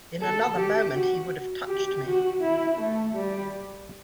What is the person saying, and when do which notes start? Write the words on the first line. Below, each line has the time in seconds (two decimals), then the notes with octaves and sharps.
In another moment he would have touched me.
0.22 A4
0.58 G4
0.95 F#4
1.68 G4
2.05 F#4
2.41 E4
2.79 A3
3.15 G3